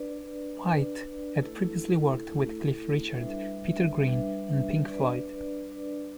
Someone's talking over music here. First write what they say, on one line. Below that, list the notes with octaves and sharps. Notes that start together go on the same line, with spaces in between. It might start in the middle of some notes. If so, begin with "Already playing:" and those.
White had previously worked with Cliff Richard, Peter Green and Pink Floyd.
Already playing: D4 B4 D5
D4 B4 D5
A3 E4 A4
A3 E4 A4
G3 D4 B4 E5
G3 D4 B4 E5
D4 B4 D5
D4 B4 D5